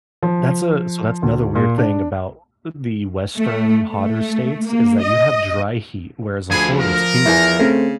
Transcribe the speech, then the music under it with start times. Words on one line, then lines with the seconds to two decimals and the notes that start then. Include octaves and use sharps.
That's a so that's another weird thing about the Western hotter states is that you have dry heat, whereas in Florida, it's humid.
0.23 F3
1.22 D2
1.55 A#2
1.78 D4
3.38 A3
3.91 A3
4.67 A#3
5.02 D#5
6.51 D2 F3 G#4 G#5 B5
6.80 A#4
7.25 E2 E4 G#5
7.59 C#3 A3 C4